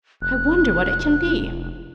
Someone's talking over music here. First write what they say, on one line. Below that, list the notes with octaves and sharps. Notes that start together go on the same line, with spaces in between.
I wonder what it can be!
F1 F#6